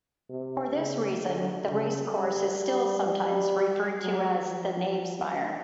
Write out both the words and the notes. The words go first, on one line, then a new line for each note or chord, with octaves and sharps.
For this reason, the racecourse is still sometimes referred to as "The Knavesmire".
C3
C#3
D3
C#3
G3
G3
G3
F#3
F3